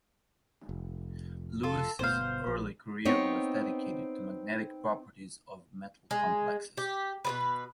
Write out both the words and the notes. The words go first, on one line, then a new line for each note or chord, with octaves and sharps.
Lewis's early career was dedicated to magnetic properties of metal complexes.
F1
F4 A4
G1 B2 B3 C5 F5
A#1
B3 C4 D#4 C#5
G#3
G4
B2 F3 B4